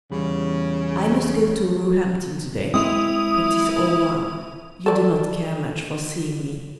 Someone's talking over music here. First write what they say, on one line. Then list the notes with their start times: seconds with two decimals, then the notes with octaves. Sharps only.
I must go to Roehampton to-day, but 'tis all one, you do not care much for seeing me.
0.12 E2 C#3 G3 B5
2.74 G#3 C4 E4 D#6 F7
4.86 A4 D5